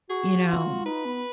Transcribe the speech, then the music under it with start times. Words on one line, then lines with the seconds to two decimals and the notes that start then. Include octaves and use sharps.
You know?
0.09 F#4 G#4
0.48 F4 F#4
0.85 D#4 B4
1.05 B3